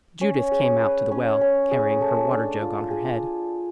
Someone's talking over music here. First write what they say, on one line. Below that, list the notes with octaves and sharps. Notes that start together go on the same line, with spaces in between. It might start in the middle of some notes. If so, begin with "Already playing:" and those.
Judith came out to the well, carrying her water-jug on her head.
C#4
G#4
B4
C#4
C#4
G#4
A3
D4
F4
G#4